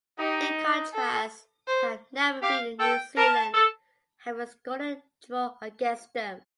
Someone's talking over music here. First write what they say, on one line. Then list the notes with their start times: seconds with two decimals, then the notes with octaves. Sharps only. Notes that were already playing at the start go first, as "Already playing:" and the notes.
In contrast, they have never beaten New Zealand, having scored a draw against them.
0.18 D#4 G4
0.94 A4
1.67 C5
2.42 G4 F5
2.80 A4 G5
3.17 A#4 A5
3.54 A4